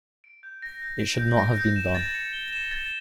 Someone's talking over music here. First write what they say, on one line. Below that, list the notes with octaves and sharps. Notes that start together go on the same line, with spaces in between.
It should not have been done.
D7
G6
A#6
G6
D7
G6
A#6
G6
E7
A6
C#7
G7
E7
A6